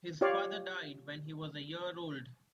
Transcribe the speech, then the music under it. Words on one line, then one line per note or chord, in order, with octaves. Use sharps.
His father died when he was a year old.
F4 G4 C#5 D5 F5